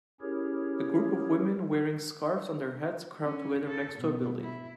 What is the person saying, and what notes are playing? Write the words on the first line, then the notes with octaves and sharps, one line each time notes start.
A group of woman wearing scarves on their heads crowd together next to a building.
C#4 E4 G4 G#4 A#4 C#5
C#4
A4
B2
E4